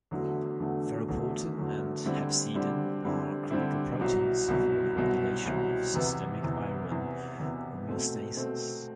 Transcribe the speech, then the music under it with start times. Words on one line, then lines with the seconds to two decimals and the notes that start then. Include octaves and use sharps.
Ferroportin and hepcidin are critical proteins for the regulation of systemic iron homeostasis.
0.11 E2 D3 F#3 A3
0.60 E2 D3 F#3 A3
1.08 E2 D3 F#3 A3
1.57 E2 D3 F#3 A3
2.05 D3 G3 C4 E4
2.54 D3 G3 C4 E4
3.02 D3 G3 C4 E4
3.51 D3 G3 C4 E4
3.99 C2 B2 F#3
4.48 C2 B2 F#3
4.97 C2 B2 F#3
5.45 C2 B2 F#3
5.94 E2 C3 E3 B3
6.42 E2 C3 E3 B3
6.91 E2 C3 E3 B3
7.39 E2 C3 E3 B3
7.89 B2 A3 C4
8.37 B2 A3 C4